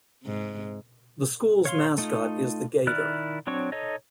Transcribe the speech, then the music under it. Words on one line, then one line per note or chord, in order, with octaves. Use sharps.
The school's mascot is the Gator.
G#2 C3
C#5 F5 C6
A3 D#4 F4
D#3 E4 D5 F6 F#6
F#3 C4 D4 C#5 C#6
D#4 A4 C#5 D#5